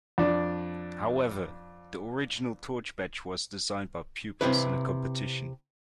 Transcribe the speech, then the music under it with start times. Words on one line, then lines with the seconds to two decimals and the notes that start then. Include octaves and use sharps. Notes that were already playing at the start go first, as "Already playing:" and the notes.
However, the original torch badge was designed by pupils in a competition.
0.18 F2 D4 D5
4.41 C3 C4 E4 B4